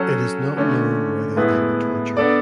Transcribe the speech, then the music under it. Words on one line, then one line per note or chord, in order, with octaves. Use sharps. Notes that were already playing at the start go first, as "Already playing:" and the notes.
It is not known whether they were tortured.
Already playing: F#3 C#4 F#4 A4
D3 A3 C#4
A2 G#3 B3 E4 B4
B3 D4 A4 D5